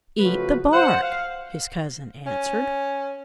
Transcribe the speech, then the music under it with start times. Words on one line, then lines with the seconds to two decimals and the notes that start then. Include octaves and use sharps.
"Eat the bark!" his cousin answered.
0.20 C#3 F3 F#3 A3 F#4 B4
0.73 C5 F#5
1.03 F5
2.26 C#4